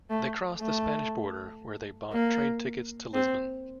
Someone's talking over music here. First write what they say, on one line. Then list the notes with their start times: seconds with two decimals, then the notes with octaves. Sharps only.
They crossed the Spanish border, where they bought train tickets to Lisbon.
0.10 A3
0.61 A3
2.13 A#3
3.14 C4